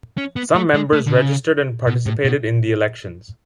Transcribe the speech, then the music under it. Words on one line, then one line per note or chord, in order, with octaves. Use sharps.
Some members registered and participated in the elections.
C#4
B3
A3
G#3
A3
D3
C#3
B2
A2
B2